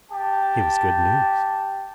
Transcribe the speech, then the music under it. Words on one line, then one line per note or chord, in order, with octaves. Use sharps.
It was good news.
G4 A5